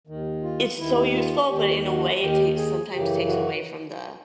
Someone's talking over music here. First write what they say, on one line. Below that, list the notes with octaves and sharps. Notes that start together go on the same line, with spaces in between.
It's so useful, but in a way, it takes sometimes takes away from the
D#2 D#3
F4
D#2 D#3 E4
F4
D#2 D#3 G4
F#4
D#2 D#3 G4
G#4
F#2 C#3 E3 G4
F#4